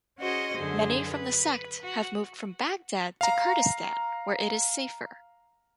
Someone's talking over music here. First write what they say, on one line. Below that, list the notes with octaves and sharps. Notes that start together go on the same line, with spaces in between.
Many from the sect have moved from Baghdad to Kurdistan where it is safer.
C#4 F#4 G#4 C5 D#5
F#2 D3 G#4 C5
B4
F#4
F5 A#5